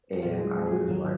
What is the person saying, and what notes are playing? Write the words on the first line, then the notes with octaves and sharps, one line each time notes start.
and, I was just like
A#2 F#3 F4
G#3 G#4
G#4
F#4
G#2 D#3 F#3 F4